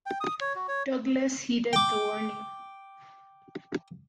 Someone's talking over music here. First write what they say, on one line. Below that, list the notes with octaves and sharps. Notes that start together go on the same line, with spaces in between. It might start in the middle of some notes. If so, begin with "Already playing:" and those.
Douglas heeded the warning.
G5
D#6
C#5
F#4
C#5
G5 D6